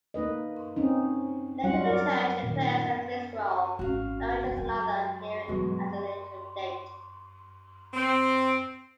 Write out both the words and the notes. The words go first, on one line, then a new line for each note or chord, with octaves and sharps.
Later the Judge declares a mistrial and arranges another hearing at a later date.
A#3 D#4 B4 D#5
C4 C#4 D#4
F#3 G3 F4 F#4 F#5
A#4 D5
A#2 D#3
G#1 C#4 F#4 F5
D3 C4
F#3 G#3 G5 G#5
G2 B2 E3 F#3 G#3
C4